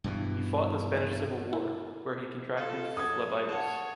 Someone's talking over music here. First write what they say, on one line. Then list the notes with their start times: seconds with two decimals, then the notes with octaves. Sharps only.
He fought in the Spanish Civil War, where he contracted phlebitis.
0.04 G2 B2 E3
1.53 E4
2.57 F4 A4
2.97 F#2 D#6 G#6
3.49 C#5 F#5 A5